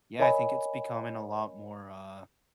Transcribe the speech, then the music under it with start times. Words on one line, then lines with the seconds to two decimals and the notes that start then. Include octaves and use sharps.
Yeah, I think it's becoming a lot more, uh,
0.19 A#4 C#5 D#5 G#5 B5